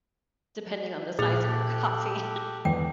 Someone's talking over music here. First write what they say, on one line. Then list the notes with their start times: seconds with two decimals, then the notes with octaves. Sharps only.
depending on the size of your coffee.
1.19 A#2 G#4 F#5 F6 F#6 A6 F7
1.43 G4 A4 F#6
2.65 E2 G5